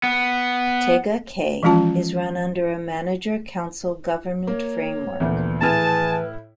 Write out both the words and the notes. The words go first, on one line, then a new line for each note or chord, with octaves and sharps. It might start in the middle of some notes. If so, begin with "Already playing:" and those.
Tega Cay is run under a manager-council government framework.
B3
E3 F3 G#3 C#4 F4 A5
A#3 C#5
D2 A#2 E3 B3
A2 E4 G#4 B4 G#5 A5 F6